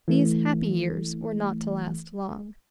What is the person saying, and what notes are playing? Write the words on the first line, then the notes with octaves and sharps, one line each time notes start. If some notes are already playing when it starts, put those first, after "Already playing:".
These happy years were not to last long.
E3 A3